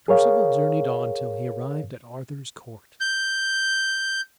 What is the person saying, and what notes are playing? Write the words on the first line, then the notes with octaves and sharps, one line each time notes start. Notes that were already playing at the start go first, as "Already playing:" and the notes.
Perceval journeyed on till he arrived at Arthur's court.
G#4 A#4 C#5 F5
G6